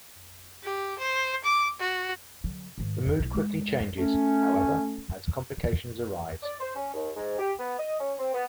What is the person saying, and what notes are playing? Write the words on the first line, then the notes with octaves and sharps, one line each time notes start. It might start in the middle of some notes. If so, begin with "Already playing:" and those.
The mood quickly changes, however, as complications arise.
G4
C5
D6
F#4
D3 F#3
G#2 D#3
F2
B1 E4
G#3
A3 C#4
D5
C5
C#4
D#2
G#2
G4
B3
D#5
C#4
C4
B3